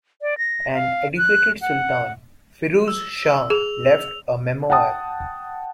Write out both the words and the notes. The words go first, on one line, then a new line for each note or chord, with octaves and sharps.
An educated sultan, Firuz Shah left a memoir.
D5
A#6
F5
F#6
F#5
E6
G#4 F7
F#5 G5 A5 D#6